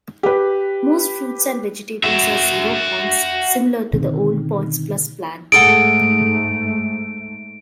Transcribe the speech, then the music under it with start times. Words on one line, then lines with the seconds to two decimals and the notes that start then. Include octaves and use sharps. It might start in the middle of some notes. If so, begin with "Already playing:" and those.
Most fruits and vegetables are zero points, similar to the old PointsPlus plan.
0.23 G4 B4
2.04 F#4 E5
3.93 B2 D3 D#3 C4
5.52 G#2 A3 G#4 A4 F#5 D7